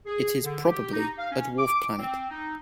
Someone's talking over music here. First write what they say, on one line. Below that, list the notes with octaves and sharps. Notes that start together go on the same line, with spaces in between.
It is probably a dwarf planet.
G#4
D3
G4
D#4
F5
C#4
D6
C4
D#4